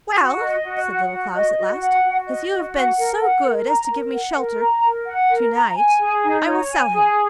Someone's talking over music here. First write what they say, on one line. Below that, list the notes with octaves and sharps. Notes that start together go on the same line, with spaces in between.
'Well!' said Little Klaus at last, 'as you have been so good as to give me shelter to-night, I will sell him.
F#4
D#5
F#4
F#5
F#4
D#5
F#4
F#5
F#4
D#5
F#4
F#5
A#4
F#5
A#4
A#5
A#4
F#5
A#4
A#5
A#4
F#5
A#4
A#5
G#5
G#4
D#4
C#5
G#5
G#4